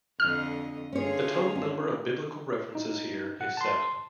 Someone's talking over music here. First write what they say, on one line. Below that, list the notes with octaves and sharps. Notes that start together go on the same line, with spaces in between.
The total number of biblical references here is seven.
F2 D3 D#5 F6
D3 C#4 F4 G#4 C#5
C#4
D#4
F#5
A5 C6